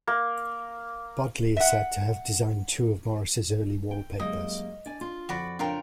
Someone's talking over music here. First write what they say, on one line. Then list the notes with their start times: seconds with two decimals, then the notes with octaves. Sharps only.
Bodley is said to have designed two of Morris's early wallpapers.
0.07 A#3
1.57 E5 F#5
3.91 G5
4.20 F#2 G3 G#3 A#3 D#5
4.86 D4 D5 G#5
5.01 F4
5.29 F2 F#4 D5 B5
5.59 C#3 D4 F4 A#4 G5